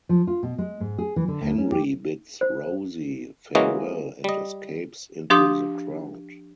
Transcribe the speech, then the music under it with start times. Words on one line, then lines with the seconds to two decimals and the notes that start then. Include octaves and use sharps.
Henry bids Rosie farewell and escapes into the crowd.
0.09 F3
0.27 F4
0.43 B2
0.58 G#3
0.80 G#2
0.98 G#4
1.16 E3
1.28 D3
1.41 D2
1.58 C#4
1.72 G4
2.41 C5
3.55 E3 G#3 A#3 C#4 F#4 D#5
4.24 G3 D#5
5.30 F3 D4 G4 C6 D#6 G6